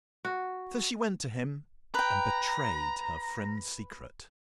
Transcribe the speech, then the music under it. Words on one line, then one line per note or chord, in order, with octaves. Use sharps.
So she went to him, and betrayed her friend's secret.
F#4
B4 G5 A#5